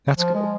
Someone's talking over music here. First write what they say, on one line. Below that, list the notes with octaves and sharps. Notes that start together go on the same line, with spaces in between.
That's good.
F3
G#3